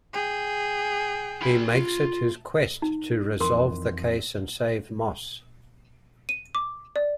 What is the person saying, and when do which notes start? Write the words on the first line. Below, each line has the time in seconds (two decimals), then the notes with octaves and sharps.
He makes it his quest to resolve the case and save Moss.
0.13 G#4 G5
1.42 F4 B5
2.82 D#4
3.40 F2 E3 A#4 C6
6.29 D#7
6.55 D6
6.96 D5